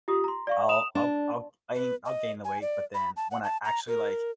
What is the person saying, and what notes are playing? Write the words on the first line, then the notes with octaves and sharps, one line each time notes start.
I'll I'll I'll I I'll gain the weight, but then when I actually, like,
F4 G4 D#6
A#5 C6
D5 F5 C#6
D#6 E7 F7
D4
B4
D#5
G#5
D5
B5
A5
F#5
A5
A#5
A#4